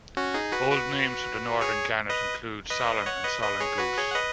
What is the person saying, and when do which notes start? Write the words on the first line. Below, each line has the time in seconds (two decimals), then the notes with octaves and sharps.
Old names for the northern gannet include solan and solan goose.
0.17 C#4 F#4
0.34 D#4 G#4
0.53 F#4 B4
0.71 F#4 B4
1.61 G#4 C#5
2.10 B4 D#5
2.70 B4 D#5
3.06 C#5 F#5
3.25 B4 D#5
3.43 B4 D#5
3.60 G#4 C#5
3.78 F#4 B4
3.97 G#4 C#5
4.11 F#5
4.15 B4 D#5